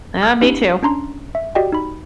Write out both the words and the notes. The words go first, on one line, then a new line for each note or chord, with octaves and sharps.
Uh, me too.
F6 G#6
C#4 D#4 G4 B4
C#4 D4 A#5 C6
E5
F#4 G4 D5 D#5 G5
D#4 B5